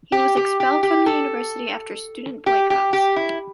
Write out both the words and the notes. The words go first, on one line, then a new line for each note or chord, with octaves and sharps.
He was expelled from the university after student boycotts.
G4
G4
G4
G4
A4
G4
G4
G4
E4